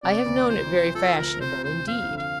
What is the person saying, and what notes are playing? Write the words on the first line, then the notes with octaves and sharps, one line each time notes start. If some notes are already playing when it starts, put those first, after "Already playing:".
I have known it very fashionable indeed.
C3 D5
D2
F3 C5
F3
F3 A4
D2 A#4
C3 C5
D2 C5
F2 F5
D3
F5